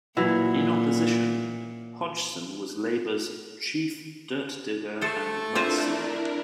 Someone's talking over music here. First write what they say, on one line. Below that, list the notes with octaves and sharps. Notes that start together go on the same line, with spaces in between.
In opposition, Hodgson was Labour's "chief dirt-digger and mudslinger".
A#2 E3 F#3 E4
A3 A4 C5
C4 D4 E4 F4 A#4 C5